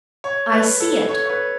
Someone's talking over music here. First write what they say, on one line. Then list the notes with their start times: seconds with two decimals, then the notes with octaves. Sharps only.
I see it!
0.24 C#5
0.52 B4
0.80 A4
1.08 C#5
1.26 C#5
1.30 B4